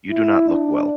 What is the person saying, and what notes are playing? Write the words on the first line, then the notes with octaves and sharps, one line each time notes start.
You do not look well.
E4
D4